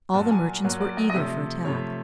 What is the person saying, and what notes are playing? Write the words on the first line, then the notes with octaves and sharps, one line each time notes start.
All the merchants were eager for attack.
A#2 F#3 A#3 A5
G#5
A#2 F#3 A#3 C#5
D5
D#5
D#5
C3 F3 A3 E5
C3 F3 A3 C#5